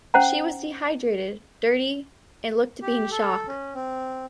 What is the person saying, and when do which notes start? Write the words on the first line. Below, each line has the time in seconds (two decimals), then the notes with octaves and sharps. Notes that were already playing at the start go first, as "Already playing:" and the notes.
She was dehydrated, dirty and looked to be in shock.
0.14 C#4 C5 F#5 A#5
2.82 G4
3.12 A4
3.47 C#4
3.75 C4